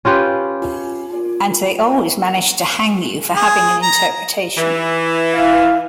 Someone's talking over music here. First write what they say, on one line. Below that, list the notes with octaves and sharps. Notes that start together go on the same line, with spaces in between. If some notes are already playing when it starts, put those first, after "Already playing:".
And they always manage to hang you for having an interpretation.
C#4 F4 G4 B4
G#4
A#5
E3
E4 F5